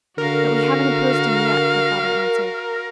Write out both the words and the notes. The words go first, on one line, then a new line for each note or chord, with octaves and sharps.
"But we haven't opposed him yet," her father answered.
D3 F#4 A#4 F5